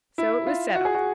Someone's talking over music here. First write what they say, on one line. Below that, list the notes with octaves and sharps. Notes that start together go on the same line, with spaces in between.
So it was settled.
E4
F4
F#4
G#4
F#4